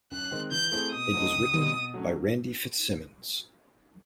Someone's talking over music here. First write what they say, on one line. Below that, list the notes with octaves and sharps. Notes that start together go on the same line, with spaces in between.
It was written by Randy Fitzsimmons.
F#2 F#6
D#3 G#3 C4
E3 G6
A3 C4 E4 G#4
B2 D#6
F#3 A3 C4 D#4
C#2
B2 G3 C4 D#4
B2
F#3 A3 C#4